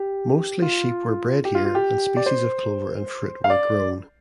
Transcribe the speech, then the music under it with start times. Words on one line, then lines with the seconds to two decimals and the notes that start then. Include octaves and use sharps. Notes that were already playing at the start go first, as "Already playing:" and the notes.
Mostly sheep were bred here and species of clover and fruit were grown.
Already playing: G4
0.62 F4
1.45 G4
1.55 F4
1.65 F4
1.75 G4
2.17 D5
2.26 C5
3.44 F5
3.50 D5